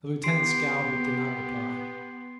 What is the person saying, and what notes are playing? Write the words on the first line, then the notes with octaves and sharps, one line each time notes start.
The Lieutenant scowled, but did not reply.
B3 G4 C6 C7 D7